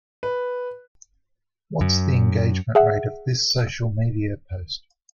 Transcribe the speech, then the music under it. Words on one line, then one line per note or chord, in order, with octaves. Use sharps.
What is the engagement rate of this social media post?
B4
F#2
G#4 E5 F#5